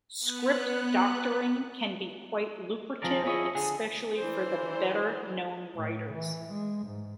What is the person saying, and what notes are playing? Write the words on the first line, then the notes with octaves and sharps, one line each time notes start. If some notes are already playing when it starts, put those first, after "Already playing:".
Script-doctoring can be quite lucrative, especially for the better-known writers.
B3 F#6
F2 A#2 F3 G#4 A#4 D5
E4 F4 G#4 C#5 D#5
D3 G#4
E3 D4 C5
A2
E3
G#3
G#2